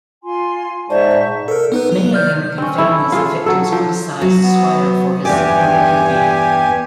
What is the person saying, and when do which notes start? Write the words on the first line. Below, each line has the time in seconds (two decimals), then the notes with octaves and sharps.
Many American families of victims criticised Swire for his support of Libya.
0.24 F4 G#5 C6
0.90 G#2 C5 D5 E5 A5 C#6
1.48 A4 A#4
1.72 B3 D#4 B4
1.92 F#3
2.13 D5 F6 G6
2.58 C4 C#4
2.78 E4 A4
3.12 F4 G#4 A4
3.46 F#3 A4
3.72 F3
4.21 F#3
4.43 B3
5.25 E2 G2 G4 D5 G#5